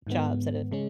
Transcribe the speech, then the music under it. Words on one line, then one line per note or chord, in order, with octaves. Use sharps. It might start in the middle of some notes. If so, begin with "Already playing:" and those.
jobs that have
G#2 D#3 G#3 B3
C#3 G#3 C#4